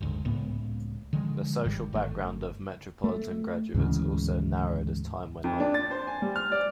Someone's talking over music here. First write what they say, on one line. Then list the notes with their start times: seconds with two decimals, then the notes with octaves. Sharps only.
The social background of metropolitan graduates also narrowed as time went on.
0.01 F#1 D2 G#2
0.25 C#2 A2 A#3 B3
1.13 D3 D#3 F3 G#3
1.64 G1 G#2 D#3 G3
1.93 G1 A3
3.04 A3
3.74 D2 G#2 C#3 E3
5.44 F2
5.60 D4
5.74 A6
5.91 C5
6.07 G#5
6.22 G3
6.36 F6
6.52 D5